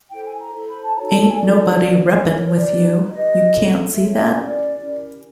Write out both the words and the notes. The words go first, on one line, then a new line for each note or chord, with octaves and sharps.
Ain't nobody reppin' with you, you cant see that?
E4 A4 C5 G5
G#5
A#5
E4 A4 C5
B5
A5
D#4 F#4 A4 C#5 A#5
A5
A5
G#5
D#4 F#4 A4 C#5 D5
F#4 A#4 C#5
F#4 A#4 C#5 D5
C#5
C#5
D5
D#4 G4 B4
D#4 G4 B4 D#5
F4 A4 C#5
F4 A4 C#5 E5
E5
C#4 E4 G4 A#4 D5
C#4 E4 G4 A#4